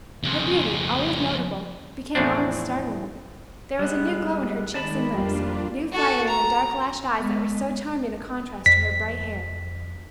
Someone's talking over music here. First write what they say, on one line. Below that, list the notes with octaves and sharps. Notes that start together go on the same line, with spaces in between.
Her beauty, always notable, became almost startling; there was a new glow in her cheeks and lips, new fire in the dark lashed eyes that were so charming a contrast to her bright hair.
F2 C#3
E2 A2 F3 C4 D4
G3 G#3 B3
D#3 G#3 D5 A5 B5
F2 G3 A#3 D4 F4
F#4 A4
A#5
G#3 B3
F2 B6